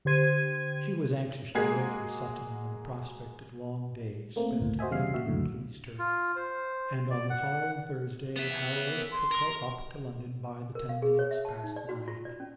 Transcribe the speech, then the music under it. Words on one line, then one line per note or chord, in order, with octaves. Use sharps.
She was anxious to get away from Sutton, and the prospect of long days spent in London pleased her, and on the following Thursday Harold took her up to London by the ten minutes past nine.
D3 G4 C5 G#6 D#7
G#3 A#3 F#4 G#4 G#6 C7
A3 A#3 C4
G1 C#2 A2
F#4 C5 D#5 E5 G#5
E2 C#3 G3 F5 C7
A#2 F#4 E5
C#2 F#2 A2 D3
F4
C5
D5
F#5
B3 E5
A#4
C6
A#4
A#4
F5
G#4
C#5
E5
A5
D#4
D5
F#4
F4
D5
C#4